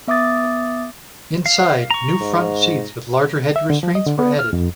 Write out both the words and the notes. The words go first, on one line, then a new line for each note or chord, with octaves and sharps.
Inside, new front seats with larger head restraints were added.
B3 E5 D6 D#6 A6
F5
A#5 C#6
G#2
E5
D3
F3
D#5
D3
B3
F6
F2